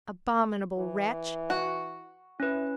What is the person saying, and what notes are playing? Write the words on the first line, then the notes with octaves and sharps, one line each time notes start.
Abominable wretch!
E3
F#4
C#4 E4 B4